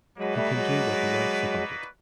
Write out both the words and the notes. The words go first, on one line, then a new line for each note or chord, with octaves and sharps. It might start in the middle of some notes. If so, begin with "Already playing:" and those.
He can do what he likes about it.
F#3 G#3 A#3 D#4 F#4 B4 D5
G3 A3
F#3 G#3